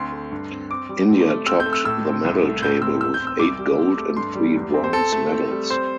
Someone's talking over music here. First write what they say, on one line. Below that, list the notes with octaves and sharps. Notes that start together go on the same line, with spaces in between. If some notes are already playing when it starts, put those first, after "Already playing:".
India topped the medal table with eight gold and three bronze medals.
Already playing: D2 C4 C6
A3
G2
C4
C4 D6
G3
C4
A3
C4 E6
G6
A3
E6
A2 E6
C4
C2
A3
A2 G6
C4 E6
E2 E6
G6
C4
E6
C2 D6
G3
C4
A3
G2 C6
G3
E2
C4
C5
C4 A4
A3
C4
G3
C4 C5